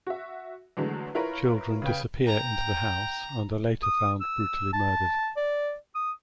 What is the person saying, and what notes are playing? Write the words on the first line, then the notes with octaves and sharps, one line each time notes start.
Children disappear into the house and are later found brutally murdered.
F#4 E5
E2 D3 F#3 G#3 A3
E4 F4 A#4 B4 C#5
C#3 B4 G5
G5 A#5
D#6
E6
A5
D5
D#6